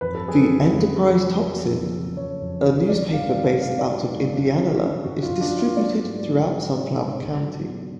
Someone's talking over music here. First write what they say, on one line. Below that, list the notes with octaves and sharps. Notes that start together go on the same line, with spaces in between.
"The Enterprise-Tocsin", a newspaper based out of Indianola, is distributed throughout Sunflower County.
F2 B4
A4
F#3 G#4
A4
C#3
F2
F2
F#3
F2
F3
C#3
F2 C#5
F2
F3
F#3 D5
G#2 F5
F#3 F5
G#2 F5
D5
F#3
G#2
F#4
F#2 D4
F#3
D3
F#2 F#4
F4
F#2
D4
F#3
F4
F#3 D5
G#2
F#3
G#2
F#3
G#2
C#2
F#3
B2